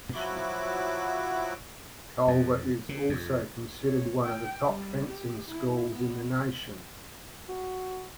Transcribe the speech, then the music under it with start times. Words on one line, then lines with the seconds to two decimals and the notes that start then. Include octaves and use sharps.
Culver is also considered one of the top fencing schools in the nation.
0.14 F3 F#3 E4 F#4 D6
2.28 F2
2.89 C#3
3.09 F2
3.83 C#5
4.23 G5
4.66 G3
5.10 G4
5.51 E4
5.93 B3
7.48 F#4